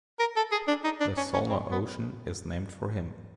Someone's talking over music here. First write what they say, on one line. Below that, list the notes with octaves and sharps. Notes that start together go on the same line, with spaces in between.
The Solnor Ocean is named for him.
A#4
A4
G#4
D4
D#4
D4
C#4
C#4
C4
B3